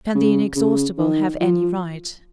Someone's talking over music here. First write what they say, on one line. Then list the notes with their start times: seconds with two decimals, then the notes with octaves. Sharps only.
Can the inexhaustible have any right?
0.15 C#3
0.56 C#3
0.98 D#3
1.41 F3